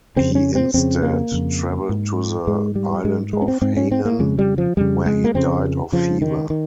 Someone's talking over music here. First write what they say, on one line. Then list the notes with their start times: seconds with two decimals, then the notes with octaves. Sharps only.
He instead travelled to the island of Hainan, where he died of fever.
0.16 F2 C#3 C4
0.35 C#4
0.55 C4
0.74 F2 C#3 C4
1.03 A#3
1.32 F2 C#3
1.89 G#2
2.47 G#2 G#3
2.76 G3
3.04 G#2 G#3
3.33 G#3
3.42 C#4
3.48 C4
3.62 G#2 C4
3.77 C#4
3.92 C4
4.05 A#3
4.19 F2 C#3 G#3
4.39 G3
4.58 F3
4.77 F2 C#3 G3
5.06 G#3
5.24 A#3
5.34 F2 C#3 C4
5.92 F2 C#3 F3
6.22 D#3
6.50 D#3